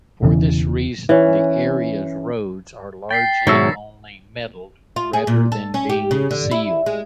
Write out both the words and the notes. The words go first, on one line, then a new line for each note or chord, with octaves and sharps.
For this reason, the area's roads are largely only metalled rather than being sealed.
E1 E2 C#3 E3
E3 C#4
G5 A6 B6 C7
G#2 B2 D#3 F#3 C#5 E5 E6 A#6
F4
G#4
A#2
A4
C#4
G4
C#3
D3
E4
G#3